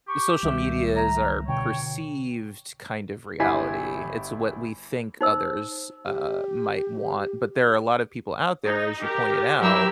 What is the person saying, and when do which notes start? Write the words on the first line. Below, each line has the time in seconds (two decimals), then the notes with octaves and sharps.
social media is our perceived kind of reality. It's what we think others, uh, might want, but there are a lot of people out there, as you pointed out,
0.08 G4 C#6
0.43 C#2 D#3 G3 E5
0.96 A#5
1.48 B2 D3 C#5 G5
3.39 G1 E4 G4 G#5 B6 C7
5.21 D#4 C5 E6
6.06 G4
8.64 D#4
9.01 G4 A#4
9.60 F#3 E4 G4 A#4 E6